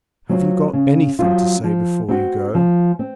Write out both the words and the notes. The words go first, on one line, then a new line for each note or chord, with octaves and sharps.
"Have you got anything to say before you go?"
F#3 C4 F4
C#3
F#3 C4 F4
F3
C4 F#4
F3
C4